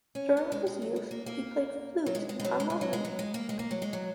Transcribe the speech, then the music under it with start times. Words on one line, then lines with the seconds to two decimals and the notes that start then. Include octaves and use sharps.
During his youth he played flute and harmonium.
0.15 C#4
0.37 B3
0.52 G#3
0.67 G#3
0.82 F#3
0.96 G#3
1.11 A#3
1.26 A#3
2.06 F#3
2.15 G#3
2.29 G#3
2.40 G#3
2.45 F#3
2.60 G#3
2.70 G#3
2.81 F#3
2.93 G#3
3.05 F#3
3.19 G#3
3.34 A#3
3.49 G#3
3.59 A#3
3.71 F#3
3.82 G#3
3.93 F#3